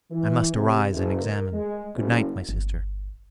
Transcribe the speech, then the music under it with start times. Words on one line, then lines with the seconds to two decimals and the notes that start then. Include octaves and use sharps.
I must arise and examine. Good night, my sister.
0.11 E3
0.54 C3
0.91 F#1
1.21 A#4
1.53 G#3
1.95 F#1
2.49 G1